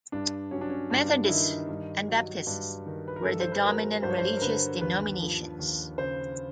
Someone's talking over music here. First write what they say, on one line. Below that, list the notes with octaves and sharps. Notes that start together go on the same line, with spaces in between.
Methodists and Baptists were the dominant religious denominations.
G2 D4
F#3 C#4
D4
C#4
G2 D4
E4
D#3 D#4
G2
F#3
G2
D#3
B4
A#4
G2 A4
C5
B4
F#3 A#4
G2 C5
C#5
C5
A#4
D3 B4
D#2 B4
F3
D#2
C#3 C5